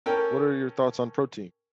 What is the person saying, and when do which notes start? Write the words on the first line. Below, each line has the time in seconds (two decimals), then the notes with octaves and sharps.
What are your thoughts on protein?
0.06 C#4 A4 A#4 G5